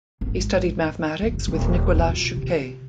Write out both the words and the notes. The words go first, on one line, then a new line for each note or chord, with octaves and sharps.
He studied mathematics with Nicolas Chuquet.
A1 G#2
D#3
F#1 E3
D#1
B2 F4
C3